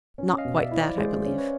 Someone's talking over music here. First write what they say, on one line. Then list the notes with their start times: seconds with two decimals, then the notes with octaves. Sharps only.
"Not quite that, I believe."
0.18 C#4
0.38 D#5 F5
0.45 B2
0.58 D5 E5
0.71 E4
0.78 C5 D5
0.98 G#3 C5 D5
1.25 C#4
1.38 B4 C#5